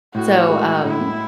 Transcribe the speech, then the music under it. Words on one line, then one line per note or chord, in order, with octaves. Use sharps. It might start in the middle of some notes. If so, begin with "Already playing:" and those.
So, um
A2 F#4
G#3
A2 E4